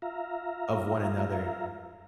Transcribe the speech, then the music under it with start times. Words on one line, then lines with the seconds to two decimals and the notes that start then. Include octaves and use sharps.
of one another.
0.02 F4 E5 F5 A#5